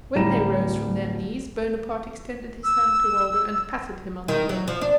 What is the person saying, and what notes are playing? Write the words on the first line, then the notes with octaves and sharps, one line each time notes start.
When they rose from their knees Bonaparte extended his hand to Waldo, and patted him on the head.
D1 G3 A#5 A#6 E7
E6
D#3
F#3
F3
D4